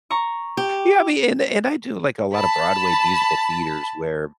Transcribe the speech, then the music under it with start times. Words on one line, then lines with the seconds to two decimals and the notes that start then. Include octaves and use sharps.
Yeah, I mean, and I do, like, a lot of Broadway musical theaters, where
0.10 A#5 C#6
0.57 G4
2.35 A5 B5